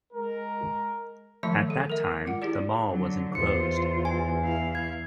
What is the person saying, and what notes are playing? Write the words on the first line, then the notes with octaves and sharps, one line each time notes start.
At that time, the mall was enclosed.
G#3 A#4
D#3 F3 F#3 A3 E5 A5
G3 A4
A#4 E5
G#3 F4 F#5
E4 G4 G#4 D5
D3 F#3
E2 F4 C5 C#7
G#5
E4 F5
G#6